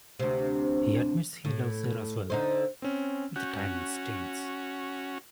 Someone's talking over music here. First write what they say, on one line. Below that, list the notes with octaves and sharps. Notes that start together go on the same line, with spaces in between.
He admits he loves her as well, but the timing stinks.
D2 C3
A2
D3 D#4 C5
C4 C#4
C#4 F#4 F#6 G6